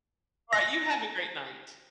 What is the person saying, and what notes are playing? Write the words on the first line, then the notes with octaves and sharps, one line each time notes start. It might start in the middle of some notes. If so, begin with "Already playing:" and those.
Alright, you have a great night.
A#6